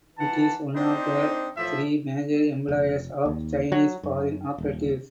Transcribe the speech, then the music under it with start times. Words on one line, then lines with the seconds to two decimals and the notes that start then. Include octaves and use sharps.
It is one of the three major employers of Chinese foreign operatives.
0.18 E3 F#5 A5
0.75 C4 D4 D#4 C5
1.56 A2 E3 F3 E5
2.68 F1
3.25 D#2
3.72 F#3
4.03 F#2
4.58 D#1